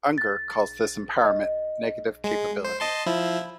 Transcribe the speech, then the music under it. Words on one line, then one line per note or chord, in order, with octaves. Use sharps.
Unger calls this empowerment negative capability.
A6
D#5
G#3
C5
D#5 A5 C6
F3 E4